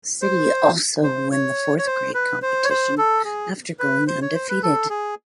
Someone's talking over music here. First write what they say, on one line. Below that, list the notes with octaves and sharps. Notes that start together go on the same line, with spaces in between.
City also win the fourth grade competition after going undefeated.
C5
C5
C#5
C#5
C5
B4
C5
C#5
C5
A4
G#4
B4
C5
C#5
C5
B4
A4
G#4